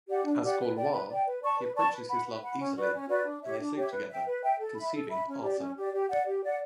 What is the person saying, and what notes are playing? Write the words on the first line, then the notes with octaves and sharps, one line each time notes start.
As Gorlois, he approaches his love easily and they sleep together, conceiving Arthur.
G4 D5 F#5
D4
G4 D5 F#5
B4
D5 G5
B4
D5 G5
B4
D5 A5 C#6
B4
D5 A5 C#6
B4
F#5 B5
B4
F#5 B5
C#4
F#4 B4 D5
C#4
F#4 B4 D5
D4
G4 C#5 E5
D4
G4 C#5 E5
B4
E5 G5
B4
E5 G5
A4
E5 B5
A4
E5 B5
C#4
G4 D5
C#4
G4 D5
G4
D5 F#5
G4
D5 F#5